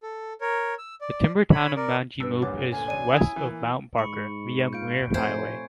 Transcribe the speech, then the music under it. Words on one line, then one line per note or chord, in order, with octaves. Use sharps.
The timber town of Manjimup is west of Mount Barker, via Muir Highway.
A4
A#4 C#5
E6
D5
C#5 B5
A#4 D5
G2 B4 E6
C2 G2 A#2 C#5 F#5 D6
D2 A#2 D3 G#5
A1 D4 C#5 D#7
E4 D#6 G#6
E3 A#3
G#2 D#4 B5 C#6 C#7
A#2 F4 F5 G6 D7
F1 A3 C4 C5 C#5 G#5 G#6